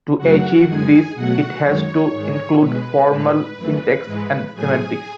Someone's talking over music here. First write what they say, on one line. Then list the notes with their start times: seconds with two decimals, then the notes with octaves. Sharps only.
To achieve this it has to include formal syntax and semantics.
0.18 F#2 C#3 F#3 A3 F#4 F#5
0.67 F#2 D#3 G#3 G#4 G#5
1.15 B2 F#3 A3 F#4 F#5
1.64 F#2 D#3 G#3 C#5
2.12 G#2 D#3 G#3
2.60 B2 G#3 B4
3.09 A2 G#3 B4
3.57 F#2 E3 A3
4.06 G#2 E3 G#3
4.54 A2 F#3 A3 G#4 G#5